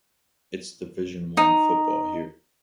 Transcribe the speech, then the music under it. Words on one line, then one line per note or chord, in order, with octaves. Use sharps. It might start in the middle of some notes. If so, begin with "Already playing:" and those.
It's Division One football here.
D#4